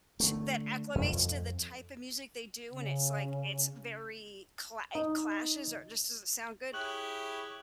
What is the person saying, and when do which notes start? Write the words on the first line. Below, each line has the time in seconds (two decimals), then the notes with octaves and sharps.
to that acclimates to the type of music they do, and it's, like, it's very cla it clashes or just doesn't sound good,
0.20 D3 A3
0.95 F2
2.70 C#3
4.95 D#4
6.73 E4 G4 G#4 C#5 F#6 F#7